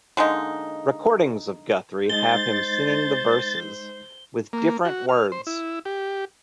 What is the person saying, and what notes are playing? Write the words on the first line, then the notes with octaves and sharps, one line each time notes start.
Recordings of Guthrie have him singing the verses with different words.
D3 G#3 A#3 D#4
G#3 D#4 C5 D#5 A6 G7
A#3
F#4
F6
C5
E4
G4